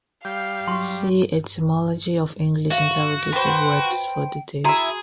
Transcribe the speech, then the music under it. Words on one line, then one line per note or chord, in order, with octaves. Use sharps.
See etymology of English interrogative words for details.
G3 F5 G6
F#3 C6 C#6
F#4 E5 F5
B4 C5 G5
E4 F#4 G#4 E5 A#5 C6